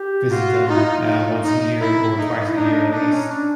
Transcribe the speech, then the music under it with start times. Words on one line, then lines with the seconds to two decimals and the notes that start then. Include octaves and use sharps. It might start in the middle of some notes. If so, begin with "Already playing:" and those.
visit them, uh, once a year or twice a year at least.
Already playing: G4
0.30 F4 F#4
0.68 D#4 F4
0.76 E4
0.84 F4
1.06 D#4
1.42 D#4
1.81 E4
2.18 D#4
2.46 E4
2.56 D4 D#4
2.93 D4 D#4
3.12 C#4
3.30 D4